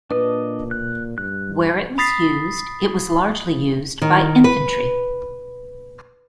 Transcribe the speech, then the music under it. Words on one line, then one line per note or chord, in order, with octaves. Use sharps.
Where it was used, it was largely used by infantry.
A#2 D4 B4 D#5
F#6
G2 F#6
B5 D#6 A6 B6 C7
D#3
B4